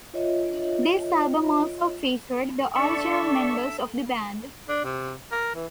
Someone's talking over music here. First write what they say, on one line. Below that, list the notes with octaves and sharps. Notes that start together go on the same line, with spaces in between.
This album also featured the original members of the band.
F4 C#5 D#5 E5
D4 A4 D5 E5 C#6
D4
C3
A#4
E3